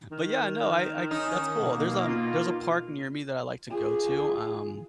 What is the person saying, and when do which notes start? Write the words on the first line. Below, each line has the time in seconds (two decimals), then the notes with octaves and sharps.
but, yeah, no, I I that's cool. There's, um there's a park near me that I like to go to, um,
0.12 D#3
1.11 C#4 D#4
1.57 B2 A#3
2.07 F4
3.69 F4 G#4